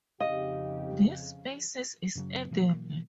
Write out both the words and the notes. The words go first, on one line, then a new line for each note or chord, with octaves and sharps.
This species is edible.
F2 C#3 C4 D#4 G4 D#5 F5
F#2 C#3 F#3
B2 E3 F#3 A#3